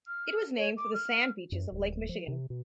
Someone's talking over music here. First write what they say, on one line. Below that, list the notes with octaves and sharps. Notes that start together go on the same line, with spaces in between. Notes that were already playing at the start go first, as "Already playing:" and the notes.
It was named for the sand beaches of Lake Michigan.
F6
C#5
D6
F6
F#2
D1
F3
C3
B2